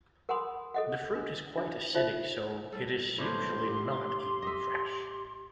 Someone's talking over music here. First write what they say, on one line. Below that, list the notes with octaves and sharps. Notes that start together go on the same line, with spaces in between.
The fruit is quite acidic, so it is usually not eaten fresh.
A#4 F#5 G#5 B5 C6 D#6
A4 D#5 F#5
D4
D4 E4
D#4 F4 C5 E5
G3 A4
A2 E3 D4 C5 C6
G4
D#5 E5